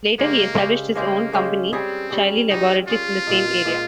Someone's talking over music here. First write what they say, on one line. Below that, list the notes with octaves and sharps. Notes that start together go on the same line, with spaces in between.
Later he established his own company, Shiley Laboratories, in the same area.
C#3 G#3 A#3 C#4 G4
C#3 G#3 C#4 G4
C#3 G#3 A#3 C#4 G4
C#3 G#3 C#4 G4
G3 C4 C#4 G#4
G3 C#4 G#4
G3 C#4 D#4 G#4
G3 C#4 F4 G#4
A#2 G#3 D#4
A#2 G#3 D#4